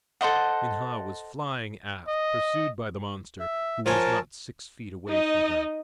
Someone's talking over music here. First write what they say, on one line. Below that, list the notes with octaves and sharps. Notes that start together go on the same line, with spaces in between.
Minha was flying aft, pursued by the monster, who was not six feet away from her.
A4 C5 D#5 F#5
D#5
E5
F3 A#4 C#5 G#5 A5
D#4 D#5